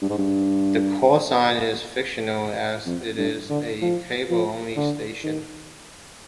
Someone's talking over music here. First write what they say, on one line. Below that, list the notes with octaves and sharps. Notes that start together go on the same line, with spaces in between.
The call sign is fictional as it is a cable-only station.
G2
G#2
G2
F2
G2
D3
F3
F3
D3
D#3